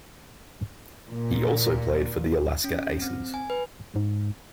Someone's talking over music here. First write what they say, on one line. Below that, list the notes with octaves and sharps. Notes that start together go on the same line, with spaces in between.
He also played for the Alaska Aces.
A#2
C#4
C4
G#5
B4
G#2